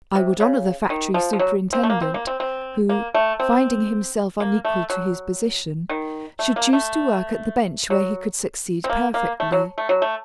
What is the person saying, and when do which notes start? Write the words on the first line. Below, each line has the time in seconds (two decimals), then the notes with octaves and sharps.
I would honor the factory superintendent, who, finding himself unequal to his position, should choose to work at the bench where he could succeed perfectly.
0.15 C3
0.40 C#3
0.90 D#3
1.14 F3
1.33 F3
1.39 F#3
1.73 C4
1.83 A3
1.90 A#3
2.02 C4
2.14 A#3
2.27 C4
2.40 C4
2.89 A#3
3.14 A3
3.40 C4
4.40 A#3
4.65 A3
4.90 F#3
5.89 D#3
6.39 A3
6.56 A#3
6.73 A3
7.90 F#3
8.84 C4
8.90 A#3
9.14 A#3
9.40 A3
9.52 F#3
9.78 A3
9.89 F#3
10.02 A3